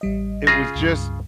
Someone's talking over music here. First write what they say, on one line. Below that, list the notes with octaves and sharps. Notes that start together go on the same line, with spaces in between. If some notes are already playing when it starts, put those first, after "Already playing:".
it was just
A1 G3 D#5
C#3 F4 G#4 A#6
C#2 G2